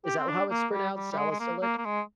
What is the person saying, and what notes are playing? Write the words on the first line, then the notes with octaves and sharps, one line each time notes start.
Is that how it's pronounced, salicylic?
G4
C4
D4
A#3
G3
G3
G3
G#3
G#3
A#3
A#3
A#3
G#3